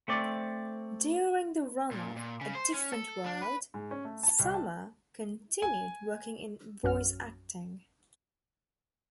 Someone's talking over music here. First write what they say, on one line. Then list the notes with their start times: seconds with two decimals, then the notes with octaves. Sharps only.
During the run of "A Different World", Summer continued working in voice acting.
0.08 A3 C4 D5
1.91 A#2
2.16 A#2
2.41 C#3
2.55 C5
2.74 C#4
2.92 A4
3.25 D4
3.42 B4
3.74 G#2
3.91 C#4
4.05 A3
4.23 A5
4.39 C2
4.54 A5
5.62 G#5
6.84 A#1 F#2 C#4 F#4 F6